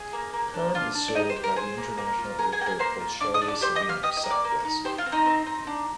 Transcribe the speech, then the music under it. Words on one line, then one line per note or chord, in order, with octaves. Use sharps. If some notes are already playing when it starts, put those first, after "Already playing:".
Perm is served by the international airport Bolshoye Savino, southwest.
Already playing: G#4
A#3
A#3
D4
D4 F4 F5
D4
D5
D#4 G4 D#5
C5
G4
A#4
G#4 C5
A#3
A#3
F4
G#4 A#4
G#4 G#5
A#3 G5
G#4 G#5
A#3 C5 C6
F4
D4 D5 D6
D#5 D#6
D4
D5 D6
G4 C5 C6
D#5 D#6
G4
F5 F6
G4 D#5 D#6
D#5 D#6
A#3
D5 D6
A#3
D#4
G4 C5 C6
F4 F5
C4
D#4 D#5
C4
D#4
D4